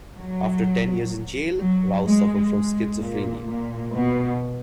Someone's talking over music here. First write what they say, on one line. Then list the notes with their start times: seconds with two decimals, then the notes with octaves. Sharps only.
After ten years in jail, Rao suffered from schizophrenia.
0.16 F#3
1.57 F#3
2.05 G#3
2.52 G#3
3.00 A#2
3.47 A#2
3.94 B2